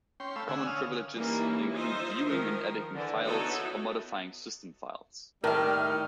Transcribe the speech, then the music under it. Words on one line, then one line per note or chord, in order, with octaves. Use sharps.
Common privileges include viewing and editing files, or modifying system files.
C#4 G5 C6
A3 F5 B5 E6
D3 F#5 G#5 E6
C#4 F5 D#6 F6
E3 G3 A#3 C#4 D#4 E4
D#4 F4 C5 D#5 E5
D#3 F3 G#3 A#4
D3 E3
B3 D#4 E4 F#4 A4 C#5
A2 D#3 G3 A#4 E5 F6